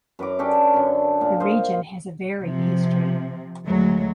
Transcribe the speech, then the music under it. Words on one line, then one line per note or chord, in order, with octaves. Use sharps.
The region has a varied history.
F#2 B4 A#5 D6
C#4 D4 G4 A4
F#2 D3
A#2
C5 D#5 F5
C3 F3
D2 F#3 G#3 A3